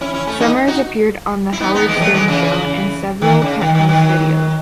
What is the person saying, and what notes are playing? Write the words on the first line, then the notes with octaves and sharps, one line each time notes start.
Summers appeared on "The Howard Stern Show" and several Penthouse videos.
C#4 E4
C#4 E4
A3 C#4
B3 D#4
D#4 F#4
E4
B3 D#4
B3 D#4
E3 G#3
B3
F#3 A3
E3 G#3
C#3 E3
D#3
C#3
D#3
D#3
D#3 F#3